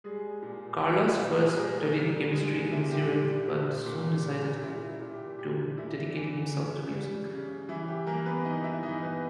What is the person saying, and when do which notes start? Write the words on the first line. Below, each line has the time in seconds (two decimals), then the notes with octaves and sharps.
Carlos first studied chemistry in Zurich, but soon decided to dedicate himself to music.
0.04 G3 G#3 G#4
0.42 A#2
0.81 A#2
1.19 A#2
1.50 G#4
1.57 G3 A#3 A#4
1.95 G3
2.33 G3 G#3 G#4
2.71 A#2 E4
2.90 G4
3.10 G3
3.48 A#2
3.86 A#2
4.24 G3
4.63 A#2 E4
4.89 E4
5.01 A#2
5.14 G4
5.39 A#2 G4
5.77 A#2 E4
6.15 E3
6.54 C#3
6.93 G3
7.30 C#3
7.68 E3 E4
7.88 G4
8.06 E3 A#3 A#4
8.26 B3 B4
8.45 E3 D#4 D#5
8.64 E4 E5
8.83 E3 D#4 D#5
9.02 B3 B4